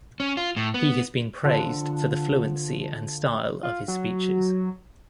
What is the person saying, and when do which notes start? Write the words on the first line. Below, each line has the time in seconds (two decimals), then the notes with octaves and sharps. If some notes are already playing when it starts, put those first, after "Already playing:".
He has been praised for the fluency and style of his speeches.
0.20 C#4
0.37 F4
0.56 A2
0.74 B3
1.44 D3 F3 A4 F#5
3.63 F4
3.88 F#3